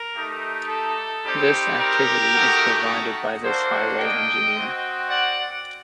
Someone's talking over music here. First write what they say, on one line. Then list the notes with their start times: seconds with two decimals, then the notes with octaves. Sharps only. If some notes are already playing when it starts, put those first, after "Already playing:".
This activity is provided by this highway engineer.
Already playing: A#4
0.13 A3 D#4 G4
0.69 A4
1.23 G3 C4 D#4 G4
1.78 G4 A#4
2.33 A3 D#4 F#4
3.44 A#3 D4 F#4 A4 C5
3.99 D#5 G5
4.54 C4 F#4
5.09 D5 F#5